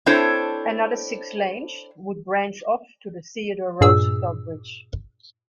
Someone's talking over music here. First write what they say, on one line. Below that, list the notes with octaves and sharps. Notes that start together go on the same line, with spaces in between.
Another six lanes would branch off to the Theodore Roosevelt Bridge.
C4 D4 E4 A4 C5 C#5
G2 A#2 G#4 E6